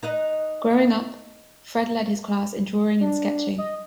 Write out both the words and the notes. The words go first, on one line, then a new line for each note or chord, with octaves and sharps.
Growing up, Fred led his class in drawing and sketching.
D#4 B4 D#5
D4
D#5